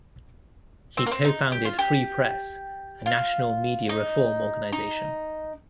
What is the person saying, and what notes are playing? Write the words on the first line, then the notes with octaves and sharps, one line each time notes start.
He co-founded Free Press, a national media reform organization.
C4
A#3
C4
D#4
G4
F4
G4
F4
D#4
D#4